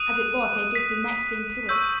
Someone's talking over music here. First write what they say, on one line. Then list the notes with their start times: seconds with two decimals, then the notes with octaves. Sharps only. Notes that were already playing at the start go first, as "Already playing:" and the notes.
As it was, they did the next thing to it.
Already playing: D#6 F#6 D#7
0.75 B6
1.69 C#6 E6 G6